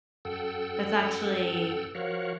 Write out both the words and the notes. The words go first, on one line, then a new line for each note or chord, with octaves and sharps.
that's actually
F#2 A4 F#5 G5 E6
F3 F#4 A#4 C#5 F5 F#5